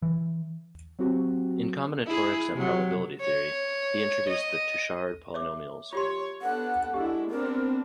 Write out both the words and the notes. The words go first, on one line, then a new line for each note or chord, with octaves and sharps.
In combinatorics and probability theory, he introduced the Touchard polynomials.
E3
F#3 C4 F#4 G4
E4 G#4
C3 F#3
C#5
D#5
C#5 E5 D6
F4 G4 C#5 C6
B3 D4 A4 F#5
G#3 D4 E4 G4
B3 C4 D4 A#4